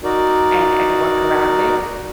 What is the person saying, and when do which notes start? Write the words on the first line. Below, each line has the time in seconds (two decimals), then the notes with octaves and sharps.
and and work around it.
0.04 D#4 F#4 A#4 D5